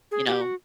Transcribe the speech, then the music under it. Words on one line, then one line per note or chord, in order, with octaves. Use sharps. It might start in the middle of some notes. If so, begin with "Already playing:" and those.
you know,
G#4
G4
F#4